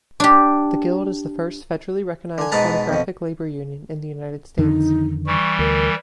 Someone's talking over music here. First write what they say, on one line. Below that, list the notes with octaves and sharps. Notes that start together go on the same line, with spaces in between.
The guild is the first federally recognized pornographic labor union in the United States.
D4 G4
D3 G#5
G#2 B2 B3 B4 A5 A#5
F2 B2
F2 D3 D#3 D#4
E3 G3 C#6
D2 A#4